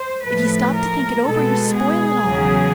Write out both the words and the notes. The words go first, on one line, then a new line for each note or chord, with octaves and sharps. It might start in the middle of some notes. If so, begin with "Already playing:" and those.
If you stop to think it over you spoil it all.
Already playing: C5
A2 F3 A3 B4
A#4
B2 G#3 B3 A4
G#4
E2 C#3 F#3